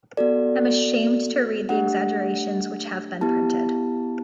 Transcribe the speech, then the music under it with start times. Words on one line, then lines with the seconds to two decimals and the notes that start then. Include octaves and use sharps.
I'm ashamed to read the exaggerations which have been printed.
0.17 B3 F#4 A4 D5
1.69 A3 D4 G4 F#5
3.21 B3 E4 G4 A5